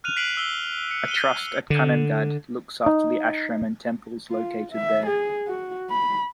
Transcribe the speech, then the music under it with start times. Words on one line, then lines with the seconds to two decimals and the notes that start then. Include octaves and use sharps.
A trust at Kanhangad looks after the Ashram and temples located there.
0.04 F6 F#6 D#7 F7
0.16 F#6 B6 C7 D7 F7 F#7
0.37 E6 G7
0.91 C#7
1.08 D#7 G7
1.70 D3
2.86 D#4
4.31 F4
4.73 E5
5.07 G#4
5.48 F#4
5.90 B5